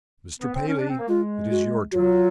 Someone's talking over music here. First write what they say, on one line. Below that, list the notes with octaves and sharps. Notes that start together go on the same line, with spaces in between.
"Mr. Paley, it is your turn."
B3
C4
C#4
D4
C4
A#3
G#3 F4
F#4
F#3 F4 F#4